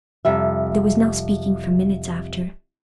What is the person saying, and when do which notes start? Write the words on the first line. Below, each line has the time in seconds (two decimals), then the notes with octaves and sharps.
There was no speaking for minutes after.
0.25 F2 C3 G3 E5